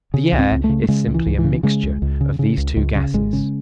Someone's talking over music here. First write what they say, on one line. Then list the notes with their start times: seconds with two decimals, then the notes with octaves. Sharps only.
The air is simply a mixture of these two gases.
0.14 C#3
0.33 C#2
0.39 C4
0.51 C#2
0.64 A3
0.69 C#3
0.84 A3
0.88 C#3 G#3
1.07 C#2
1.14 E3
1.26 C#2
1.39 E3
1.44 C#3
1.63 C#3 G#3
1.83 C#2
2.02 C#2
2.21 C#3
2.39 C#3
2.57 C#2
2.76 C#2
2.95 C#3
3.14 G#1 G#3
3.33 C#3